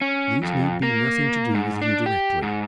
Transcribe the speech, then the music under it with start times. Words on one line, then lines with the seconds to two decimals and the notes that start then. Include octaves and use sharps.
These need be nothing to do with you directly.
0.01 C#4
0.43 F2
0.83 A#3
1.55 G#2
1.82 D4
2.06 G4
2.42 G#2